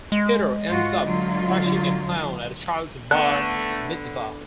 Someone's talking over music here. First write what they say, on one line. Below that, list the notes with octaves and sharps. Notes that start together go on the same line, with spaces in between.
Peter ends up crushing a clown at a child's bar mitzvah.
G#3
G#2 F4 F#4
D3 F#3 F4
D3 A3 B3 C#6 F#6